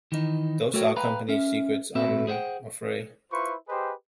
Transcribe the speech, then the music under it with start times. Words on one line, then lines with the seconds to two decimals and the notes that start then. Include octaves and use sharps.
Those are company secrets, I'm afraid.
0.12 D#3 E3 D#4
0.74 A3 F#4 A4 A#4 C#5 G5
0.96 B4 F5 G5 A#5 B5
1.29 C#4 A#4 E5
1.95 A#2 C4 F#4 A4 B4 E5
2.27 G#4 C5 E5 F#5 G5
3.32 E4 F4 B4 C5 C#6
3.68 G4 G#4 B4 C5 D#5